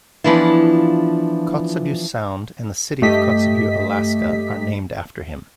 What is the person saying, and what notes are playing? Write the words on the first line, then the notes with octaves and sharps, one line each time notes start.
Kotzebue Sound and the city of Kotzebue, Alaska are named after him.
E3 F3 B3 D4 E4 F4
G2 A3 G4 D#5 B6